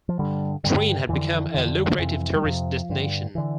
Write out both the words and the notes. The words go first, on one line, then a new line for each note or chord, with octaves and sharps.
Treen had become a lucrative tourist destination.
F3
G2 D3 G3
G2 D3 G3
F2 D3 E3
F2 D3
D3
F2 C3 E3
G3
F2 C3 F3
G2 D3
D3 E3